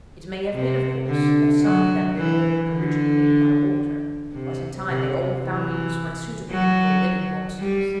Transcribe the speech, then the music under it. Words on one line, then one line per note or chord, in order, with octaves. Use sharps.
It may have been, of course, that some of them were worn originally by water; but in time they all found a use when suitable for living monsters.
C3
D3
F#3
E3
D3
C3
C3
E3
F#3
G3